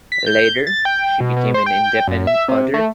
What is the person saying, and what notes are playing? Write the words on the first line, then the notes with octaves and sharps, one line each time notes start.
Later she became an independent author.
B6
G6
A6
G5
B2
B2
C5
G5
F#2
E5
C3
A3